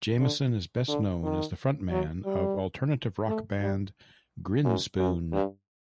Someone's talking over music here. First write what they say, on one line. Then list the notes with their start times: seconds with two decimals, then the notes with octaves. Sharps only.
Jamieson is best known as the front man of alternative rock band Grinspoon.
0.20 D3
0.88 D3
1.23 D#3
1.90 F#3
2.25 G3
3.27 A3
3.61 G3
4.64 F#2
4.99 F#2
5.33 G2